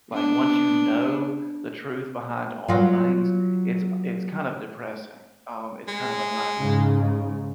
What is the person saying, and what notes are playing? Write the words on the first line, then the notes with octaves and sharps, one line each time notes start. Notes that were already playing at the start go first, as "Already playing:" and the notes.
like, once you know the truth behind all things, it's a it's kind of depressing, um, it's kind of a nihilistic
B3 D4
F#3 F4
G#3
G#2 C#3